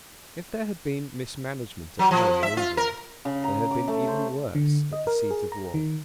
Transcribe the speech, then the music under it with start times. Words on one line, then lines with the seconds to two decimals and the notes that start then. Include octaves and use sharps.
If there had been mismanagement at home in England, there had been even worse at the seat of war.
1.99 F#3
2.11 F3
2.43 E5
2.57 F4
2.77 A#4
3.25 C#3
3.44 A#5
3.71 D6
3.88 A3
4.07 C5
4.55 D3
4.93 D#5
5.07 A#4
5.31 G#4
5.52 A#5
5.74 D#3